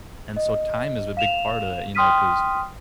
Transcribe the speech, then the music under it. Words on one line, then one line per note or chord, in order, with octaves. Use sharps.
And so time is a big part of that, you know, 'cause,
D#5
F5 E7 F7
G5 C6 D#6 F6 B6 D#7